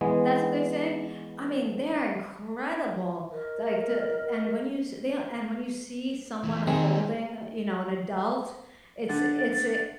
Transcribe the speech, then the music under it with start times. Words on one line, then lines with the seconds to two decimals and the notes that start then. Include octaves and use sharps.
that's what they're saying? I mean, they're incredible, like to a and when you se the yeah, and when you see someone holding, you know, an adult, it's i it's i
0.01 E3 G#3 B3
3.32 A#4 D#5
6.44 E2 E3
6.67 D#3 G3 A#3 C4 G#4
9.09 D3 A6